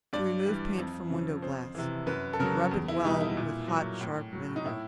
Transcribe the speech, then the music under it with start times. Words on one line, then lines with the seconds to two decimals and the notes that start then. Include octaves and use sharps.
To Remove Paint from Window-Glass.--Rub it well with hot, sharp vinegar.
0.13 G2 D5
0.46 E3 G3
0.78 F2
1.10 C#3 F3
1.42 F2 C5
1.75 C3 E3
2.07 F#2 B4
2.33 A4
2.39 C#3 F#3 A#4
2.71 E2
2.88 E4
3.04 B2 G3 D#4
3.21 E4
3.37 A#2
3.68 F#3
4.01 A2
4.33 F#3
4.56 D#4
4.65 A2 E4